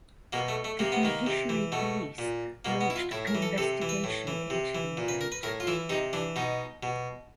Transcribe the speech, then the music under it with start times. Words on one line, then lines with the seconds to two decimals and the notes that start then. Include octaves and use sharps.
The Judiciary Police launched an investigation into the event.
0.33 B2 A#3
0.48 A3
0.64 A3
0.79 C3 A#3
0.92 B3
1.03 D#3 A#3
1.27 C3
1.49 E3
1.72 B2 A3
2.18 A#2
2.65 B2 A#3
2.81 B3
2.90 E4
2.96 F4
3.11 A2 E4
3.27 A#4
3.35 E3
3.42 A4
3.58 C3 A4
3.82 E3
3.89 B4
4.04 A2
4.27 E3
4.50 C3
4.75 E3
4.97 A#2
5.08 B4
5.21 A#4
5.32 B4
5.43 A2 A#4
5.60 F4
5.67 E3 E4
5.89 C3 D#4
6.13 E3 D4
6.36 B2 D#4
6.83 B2